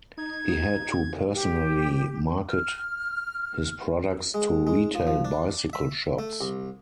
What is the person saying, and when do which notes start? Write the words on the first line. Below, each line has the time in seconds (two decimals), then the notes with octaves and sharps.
He had to personally market his products to retail bicycle shops.
0.18 D#4 G#6
1.33 G4
2.50 F6
4.34 G#3
4.67 G#3
4.95 F3
5.07 F3
5.25 D4
5.73 E5
6.19 A3
6.41 C2